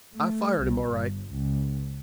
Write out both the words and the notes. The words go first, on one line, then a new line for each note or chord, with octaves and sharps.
I fired him, all right.
A3
C2
G1
C#2